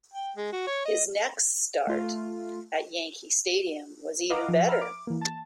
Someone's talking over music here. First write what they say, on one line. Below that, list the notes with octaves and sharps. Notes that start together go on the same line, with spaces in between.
His next start at Yankee Stadium was even better.
G5
G#3
F#4
C#5
D#5
A3 F4
B4 D#5 F5 F#5 A#5 D6
F3
E5 A#5 B5 F6
D6
E3 A#3
A5